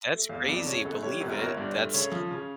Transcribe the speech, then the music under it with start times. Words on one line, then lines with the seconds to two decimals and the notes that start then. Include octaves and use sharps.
That's crazy, believe it, that's
0.12 A3
0.29 E2 F5
0.48 F2 D5
0.67 C#3 C#5
0.85 G1 A4
1.03 G3 C#5
1.21 G1 A#4
1.32 A#4
1.39 G1 C#5
1.57 G2 D5
1.76 A3
1.94 C#3 C#5
2.12 F3
2.31 C#3